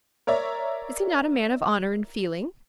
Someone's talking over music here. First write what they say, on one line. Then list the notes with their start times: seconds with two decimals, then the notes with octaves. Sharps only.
Is he not a man of honour and feeling?
0.27 A#4 C#5 D5 E5 A#5